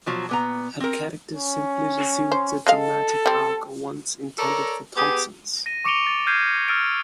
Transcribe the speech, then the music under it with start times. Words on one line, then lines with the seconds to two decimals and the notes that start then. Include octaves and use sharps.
Her character simply resumed the dramatic arc once intended for Thompson's.
0.06 B2 F3 F#3
0.29 A#2 B3 A#5
0.80 C4 A#4
1.35 C#4
2.32 C5
2.67 G#3 A4 D#5 F5
3.26 G3 C4
4.38 A4 A#4 C#5 D5 A5 A#5
4.96 B3 G4 G#4
5.66 A#6 D#7
5.85 C#6 D6 C#7 D7 F7 G7
6.07 A6
6.27 F6 G6 G#6 C7 D#7
6.68 E6 F6 A6 D7